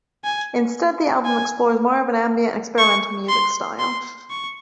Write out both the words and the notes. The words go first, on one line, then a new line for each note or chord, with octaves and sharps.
Instead, the album explores more of an ambient and experimental music style.
G#5
G#5
C#6
C6
C6
C#6